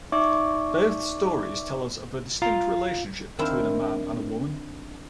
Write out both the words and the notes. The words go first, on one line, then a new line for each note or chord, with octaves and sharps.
Both stories tell us of a distinct relationship between a man and a woman.
D#4 D5 E5 C#6 D6
F4 F5 A#5
D#3 C4 D4 E4